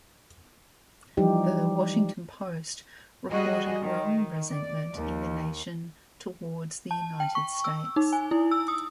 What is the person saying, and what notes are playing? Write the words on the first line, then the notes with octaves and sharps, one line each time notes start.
"The Washington Post" reported growing resentment in the nation towards the United States.
E3 F3 G3 D#4 G4
G3 F#4 G#4 D#5
D#3
D5
D#2
A5
G5
C#6
E6
D#4
G#5
E4
E6
D#6